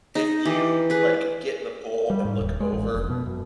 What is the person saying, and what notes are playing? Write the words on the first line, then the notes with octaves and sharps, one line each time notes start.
if you, like, get in the pool and look over
D#4
E3 G4
G#4 B4
G3
G#2
D#1
G#3
A1
F1
B2
F#2